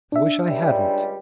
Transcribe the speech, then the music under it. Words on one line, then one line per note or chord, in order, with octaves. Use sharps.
I wish I hadn't.
D4 E5
C#2 G3